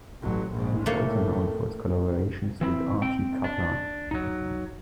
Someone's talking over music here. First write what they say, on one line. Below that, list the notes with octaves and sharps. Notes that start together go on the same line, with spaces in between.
He is also known for his collaborations with Artie Kaplan.
A1 F#3
A#1 G#2
A2 A3 A#3 C#5
E3 C4 E4
C4 G5
D4
F#3 D#4